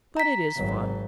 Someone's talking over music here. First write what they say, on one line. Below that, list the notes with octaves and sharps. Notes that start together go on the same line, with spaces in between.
But it is fun.
A#5 B6
G#1 F#3